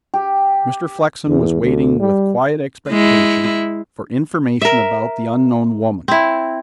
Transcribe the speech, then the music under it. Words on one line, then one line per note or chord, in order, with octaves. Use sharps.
Mr. Flexen was waiting with quiet expectation for information about the unknown woman.
G4
E2
D2
G3
G#3 E4
A#4 E5
C4 E4